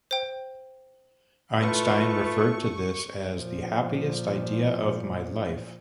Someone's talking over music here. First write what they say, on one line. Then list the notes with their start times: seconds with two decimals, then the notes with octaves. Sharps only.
Einstein referred to this as "the happiest idea of my life".
0.11 C5 G5
1.61 A3 F4 B4 C#6
3.30 A#2 F3